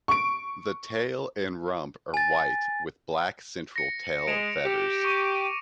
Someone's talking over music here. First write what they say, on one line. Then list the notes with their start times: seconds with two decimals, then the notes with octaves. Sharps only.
The tail and rump are white with black central tail feathers.
0.08 C#6 D7
2.14 G#5 A6
3.76 A#6 C#7
4.27 G#3 D7 E7 F7
4.65 G4
5.05 C#6 D6 D#7